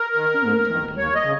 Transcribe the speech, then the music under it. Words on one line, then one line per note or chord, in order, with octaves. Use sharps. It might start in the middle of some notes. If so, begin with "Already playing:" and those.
He knew Toby.
Already playing: A#4
D#3
G#2
D#3
D#2 C#5
D#5
C#3